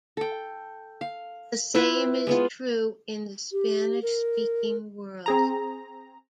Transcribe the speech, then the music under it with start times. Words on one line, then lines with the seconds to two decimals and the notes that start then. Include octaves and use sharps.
The same is true in the Spanish-speaking world.
0.17 A4 G5
1.01 F5
1.75 E4 F4 B4 E5
2.27 G#3 B3 F4
3.52 G4
4.02 A#4
5.26 C4 G#4 A#5